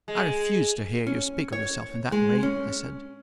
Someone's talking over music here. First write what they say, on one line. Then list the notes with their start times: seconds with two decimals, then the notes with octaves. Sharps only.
"I refuse to hear you speak of yourself in that way," I said.
0.08 G#3
1.07 C#4
1.52 C#5
2.12 G#3
2.43 C#4